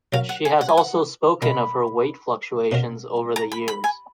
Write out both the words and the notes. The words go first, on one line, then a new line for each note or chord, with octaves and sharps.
She has also spoken of her weight fluctuations over the years.
C#3 F#3 C#4 F#4 A#4 F5
F#5
G#5
F#5
G#5
F#5
B2 A#3 D#4 A#4 B5
B2 A#3 C#4 F#4 A#4
A#5
B5
B5
G#5